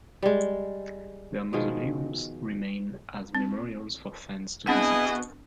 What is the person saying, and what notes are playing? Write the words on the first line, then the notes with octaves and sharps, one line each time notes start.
Their mausoleums remain as memorials for fans to visit.
G3 G#3
B2 D#3 F3 G#3
C4
B2 C4 D4 E4 G#4 D#5 F#5